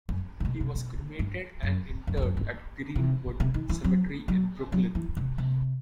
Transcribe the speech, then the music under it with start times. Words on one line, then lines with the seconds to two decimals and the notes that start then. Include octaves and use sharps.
He was cremated and interred at Green-Wood Cemetery in Brooklyn.
0.09 F#2
0.40 C3
0.45 B2
0.60 C3
0.75 B2
1.19 G2
1.63 F#2
2.07 F#2
2.17 E2
2.22 F#2
2.37 G2
2.95 C3
3.40 C3
3.54 D#3
3.69 E3
3.84 F#3
4.28 F#3
4.72 F#3
4.95 E3
5.17 C3
5.38 C3